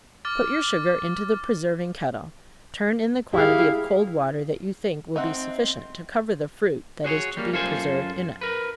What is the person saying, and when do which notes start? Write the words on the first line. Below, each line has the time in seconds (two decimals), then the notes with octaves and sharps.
Put your sugar into the preserving kettle, turn in the quantity of cold water that you think will be sufficient to cover the fruit that is to be preserved in it.
0.25 D6 F6 A6
3.34 E4 G4 G#4 F5
5.16 C4 D#4 E5 F#5
7.04 F#4 G#4 C5 C#5
7.37 G3 A#3
7.53 F#2 F4 A4 C5 G#5
8.41 A#4 B4